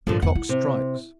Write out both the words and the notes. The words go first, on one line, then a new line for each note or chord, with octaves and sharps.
The clock strikes!
G2 A#2 D3 F3
E2 D3 F#5
E4
C3